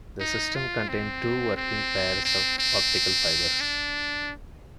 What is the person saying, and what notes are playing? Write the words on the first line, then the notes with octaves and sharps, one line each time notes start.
The system contained two working pairs of optical fibers.
D#4
F4
C4
C4
C4
C4
D4